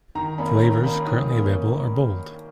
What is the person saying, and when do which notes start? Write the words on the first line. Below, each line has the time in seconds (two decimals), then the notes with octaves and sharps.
Flavors currently available are bold.
0.15 D#3 A#5
0.38 A#3 C#4 B5
0.61 D#3 A#5
0.83 A#3 C#4 B5
1.07 D#3 D#6
1.29 A#3 C#4